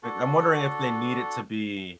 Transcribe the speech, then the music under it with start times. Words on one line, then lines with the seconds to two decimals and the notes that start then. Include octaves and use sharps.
I I'm wondering if they need it to be
0.03 D4 F#4 A4